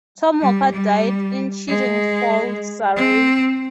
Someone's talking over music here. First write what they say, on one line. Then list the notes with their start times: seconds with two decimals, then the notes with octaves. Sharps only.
Tom Walker died in Chiddingfold, Surrey.
0.41 G3
0.72 G3
1.67 G#3
2.96 C4